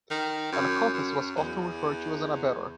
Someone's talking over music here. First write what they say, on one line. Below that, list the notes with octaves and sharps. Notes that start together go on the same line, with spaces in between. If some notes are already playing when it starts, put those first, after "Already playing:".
An accomplice was often referred to as an abettor.
D#3
F#2
F#2
E2